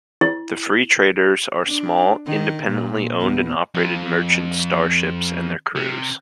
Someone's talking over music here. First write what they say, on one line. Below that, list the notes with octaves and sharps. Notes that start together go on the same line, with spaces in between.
The Free Traders are small, independently owned and operated merchant starships and their crews.
E4
D4
D#3
A#2
E2
F2
C3